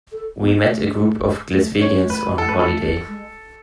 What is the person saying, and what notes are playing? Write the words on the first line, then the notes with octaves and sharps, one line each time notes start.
We met a group of Glaswegians on holiday.
A4
B3
A3
A3
G#3
A3
C#4 C#5
A3
B4
G#3
A4
A3
B4
A4
A3
G#3